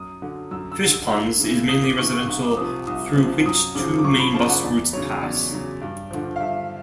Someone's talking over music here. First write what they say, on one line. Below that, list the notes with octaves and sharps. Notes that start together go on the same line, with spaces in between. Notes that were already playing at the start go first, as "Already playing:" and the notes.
Fishponds is mainly residential through which two main bus routes pass.
Already playing: F#2 D#6
D3 F#3
F#2 E6
E6
D3 F#3
E6
C#2 E6
C#3 E3
C#2 D#6
D6
C#3 E3 C#6
C#6
C2 C#6
D6
C3 F3 D#6
C2 D#6
C3 F3
F#2 D#6
C#3 F3 D6
D6
F#2 C#6
B5
C#3 F3 A5
F#5
E2 D5
C#3 F#3 C#5
E2 D5
C#3 F#3
G2
D3 F3
F5
G2 E5